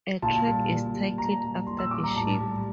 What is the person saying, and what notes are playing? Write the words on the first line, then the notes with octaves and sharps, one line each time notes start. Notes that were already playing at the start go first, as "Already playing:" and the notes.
A track is titled after the ship.
A#2 A5
G3
A#2
G3
A#2 A#5
G3
A#2 C6
E6
G3 D6
A#5
A2 A5
G3